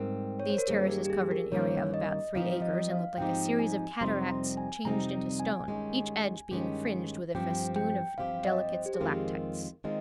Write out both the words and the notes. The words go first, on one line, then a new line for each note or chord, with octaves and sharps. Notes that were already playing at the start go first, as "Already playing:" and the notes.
These terraces covered an area of about three acres, and looked like a series of cataracts changed into stone, each edge being fringed with a festoon of delicate stalactites.
Already playing: G#2 G3 C4 A#4
C#5
C5
A#4
G2 D#3 G3 A#3 C#4 G#4
G4
G4
G#4
A#4
G2 D#3 G3 A#3 C#4 C#5
D#5
G#2 F3 C4 D#4 G4 F5
D#5
F5
G#2 F3 C4 D#4 G4 G5
G#5
F2 C3 G3 C4 D#4 C6
A#5
G#5
F2 C3 G3 C4 D#4 A#5
G#5
G2 D#3 G#3 C#4 G4
G2 D#3 G#3 C#4 G4
G2 F3 C4 G4 G5
G5
G2 F3 C4 G4 F5
D#5
C5
G4
G#4
F2 D#3 G#3 C4 F4 A#4
D#3 G#3 C4 F4 D#5